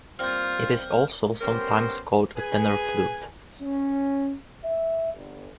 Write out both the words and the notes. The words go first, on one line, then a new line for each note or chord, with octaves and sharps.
It is also sometimes called a tenor flute.
G3 A#3 C4 F4 F6 G6
G3 B3 C#4 A#4 C5
G#4 B4 G#5
C#4
E5
G1